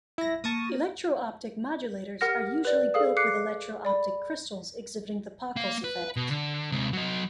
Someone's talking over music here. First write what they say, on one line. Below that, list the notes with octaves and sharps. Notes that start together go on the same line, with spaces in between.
Electro-optic modulators are usually built with electro-optic crystals exhibiting the Pockels effect.
E4 A#6
A#3 A5 C#6 D#6
G4 A#4 F#5 F6 A#6
B4 D5
G#4 A4 F5 D#6
D6 F#6 C7 C#7
D5 B5
A#3 F5
B4
B2
D3
C3 G#3
F#3 D#5